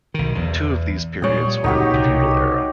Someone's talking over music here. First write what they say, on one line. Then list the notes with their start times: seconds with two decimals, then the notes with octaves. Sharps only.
Two of these periods were in the feudal era.
0.14 B1 D#3
0.35 E2
1.22 A#2 G3 G#4 C#5
1.64 C#2 A#2 D#4 F#4 G4
1.93 C2 B2